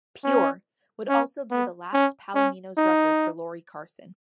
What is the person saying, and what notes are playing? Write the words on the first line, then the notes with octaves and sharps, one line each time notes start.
"Pure" would also be the last Palominos record for Lori Carson.
C#4
C#4
B3
C#4
C#4
D#4